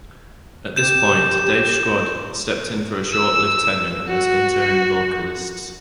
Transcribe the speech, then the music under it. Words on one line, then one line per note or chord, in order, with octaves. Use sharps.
At this point, Dave Scrod stepped in for a short-lived tenure as interim vocalist.
G4 G6 E7
E6
F#4